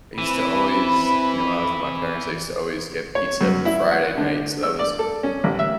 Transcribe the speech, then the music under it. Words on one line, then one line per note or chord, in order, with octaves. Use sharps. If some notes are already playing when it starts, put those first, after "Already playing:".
I used to always you know, when I was with my parents, I used to always get pizza every Friday night, so that was
E3 C4 E4 B5
C#5
F#2
E4
F#5
D3
E6
D5
A4
C#4
A1
E5